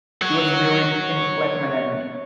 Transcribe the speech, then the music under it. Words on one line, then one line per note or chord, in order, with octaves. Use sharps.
He was buried in Clackmannan.
C#5 F#5